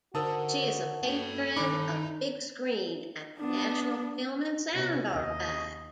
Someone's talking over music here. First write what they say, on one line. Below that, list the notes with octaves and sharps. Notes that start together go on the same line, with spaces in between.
She is a patron of "Big Screen" at the National Film and Sound Archive.
D3 D#4 F#4 A#4 C5 A5 D#6 E6
A#3 A4 G5
G2 D#3 D4 D#4 A4 B5 D6
B3 D4
C3 B3 C#4
D#2 D#5